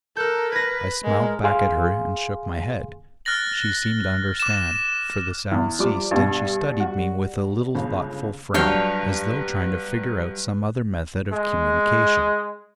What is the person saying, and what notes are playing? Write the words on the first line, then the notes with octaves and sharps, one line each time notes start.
I smiled back at her and shook my head. She seemed to understand, for the sound ceased, and she studied me with a little thoughtful frown, as though trying to figure out some other method of communication.
A4 A#4 F#6 G6
B4 G#6 A#6
G#3 A#4
G#4 F5 G#5 C6
F6 F#6 A6 A#6 F#7
D6 E7
E2
F3 G3 D6
G2 B2 G3
F#4
G1 C#2
G2 F#3 D4 B4 C#5 F5 G5
G#3